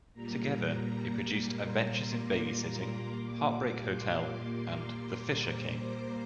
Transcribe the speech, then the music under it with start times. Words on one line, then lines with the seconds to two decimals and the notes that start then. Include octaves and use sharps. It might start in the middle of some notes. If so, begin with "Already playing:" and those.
Together, they produced "Adventures in Babysitting", "Heartbreak Hotel", and "The Fisher King".
0.13 A#2 G3 A#3 A#5
1.63 C6
2.00 D6
2.38 D6
3.13 A#2 G3 A#3
3.88 C6
4.63 A#5
5.38 C5